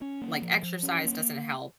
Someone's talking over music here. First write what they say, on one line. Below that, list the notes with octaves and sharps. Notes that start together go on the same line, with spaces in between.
like exercise doesn't help,
C#4
A#3
F3
F3
C#4
A#3